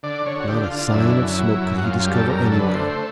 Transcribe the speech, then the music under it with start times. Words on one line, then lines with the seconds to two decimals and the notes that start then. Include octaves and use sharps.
Not a sign of smoke could he discover anywhere.
0.03 D3 D5
0.26 D3 C#5
0.40 F#4
0.49 D3 G4
0.63 F4
0.71 D3
0.79 F4
0.94 F#2 E4
1.16 F#2
1.39 F#3
1.61 F#2
1.78 F#4
1.84 F#2 F4
1.99 F4
2.06 G3
2.14 A4
2.29 F#2 A#4
2.44 A4
2.52 D3
2.59 B4
2.74 A3 C5
2.90 C5